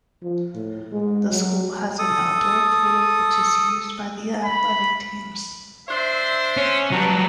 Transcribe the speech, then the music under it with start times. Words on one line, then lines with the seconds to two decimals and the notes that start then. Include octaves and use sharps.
The school has an outdoor pool which is used by the athletic teams.
0.22 F3
0.55 A2
0.92 G#3
1.30 F#3
1.99 A4 D#6
4.45 B5
5.88 D4 C5 E5
6.57 C#4
6.92 F#3 G3 B4 A5 A#5